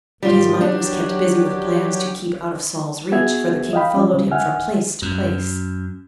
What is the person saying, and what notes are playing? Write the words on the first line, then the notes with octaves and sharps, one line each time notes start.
But his mind was kept busy with plans to keep out of Saul's reach, for the king followed him from place to place.
G#2 D#3 G3 F4
F#3 D4 G4
B3 F#4 G#4 E5 G#6
D#5 F5 G5 B5
F3 C#4
C#3 G3
E5 F#5 G#5 F6
F#2